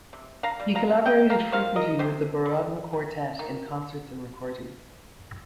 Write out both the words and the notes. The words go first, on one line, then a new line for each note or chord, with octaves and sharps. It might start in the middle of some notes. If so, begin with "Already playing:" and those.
He collaborated frequently with the Borodin Quartet in concerts and recordings.
C3
F5 A#5
G3
F5 A#5
C3 D#5 G5
F5 A#5
D#3 C5 F5
A#4 D#5
C3 G4 C5
G3
C3
D#3